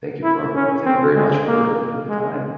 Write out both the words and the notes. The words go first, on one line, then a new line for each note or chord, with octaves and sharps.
thank you for thank you very much for making the time.
E4
C#4
C4
G#3
A#3
G#3